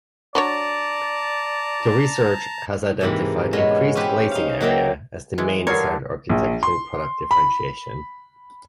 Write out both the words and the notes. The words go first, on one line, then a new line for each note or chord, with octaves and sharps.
The research has identified increased glazing area as the main desired architectural product differentiation.
F#3 D4 C#5 D5 A5 A#5
G#2 C3 E3 A#3 B5
B2 G#3 B3 C#4
C#4 E4 G4 B4 C5
D#4 F5
F#3 A#3 E5 G5
E3 G#3 B3
G2 D3 A#4 C#5 C7
A#1
C6
B5